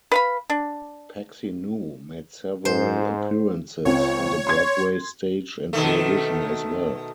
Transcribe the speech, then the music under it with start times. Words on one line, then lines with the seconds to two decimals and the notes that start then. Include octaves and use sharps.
Paxinou made several appearances on the Broadway stage and television as well.
0.12 B4 F5 B5
0.50 D4
2.65 G#2 C5
3.85 C#2 C4 C#5
4.47 C6 G#6
5.73 B2 D#3 A3